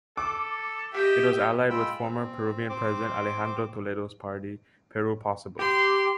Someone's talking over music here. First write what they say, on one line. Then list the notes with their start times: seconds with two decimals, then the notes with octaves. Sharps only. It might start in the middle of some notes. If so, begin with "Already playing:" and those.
It was allied with former Peruvian president Alejandro Toledo's party, Peru Possible.
0.17 A4 D6
0.94 G4 D#5 E5 G5
1.70 G#3 F4 G5 B5 E6
2.00 C4
2.69 C4 C5 D6
5.59 G4 C6